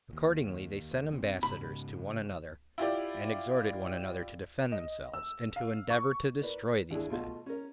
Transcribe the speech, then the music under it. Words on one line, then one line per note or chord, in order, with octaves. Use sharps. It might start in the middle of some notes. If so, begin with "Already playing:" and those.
Accordingly they sent ambassadors to one another, and exhorted one another to defend themselves, and to endeavor to destroy these men.
D#2
F1 C4
G#2 C#3 B5
E4 F4 G4 D5
D#5
E6
F5
C#6
A#4 B4 D5
D#2 D4 E4 G#4
B2 A3 F4 F#4 D#5
C#4 A#4